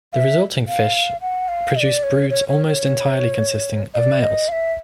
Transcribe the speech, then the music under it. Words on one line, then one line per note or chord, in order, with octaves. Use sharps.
The resulting fish produce broods almost entirely consisting of males.
F5
E5
F5
F#5
F5
D#5
D5
C#5
C#5
C#5
C#5
D#5
D5
D#5
F5
E5